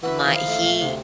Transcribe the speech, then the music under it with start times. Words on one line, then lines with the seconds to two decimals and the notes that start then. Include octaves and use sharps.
My he
0.03 E3 F#4 B4 E5
0.25 D#3 F3 E4 F5
0.48 A3
0.64 A#2
0.80 D2 C3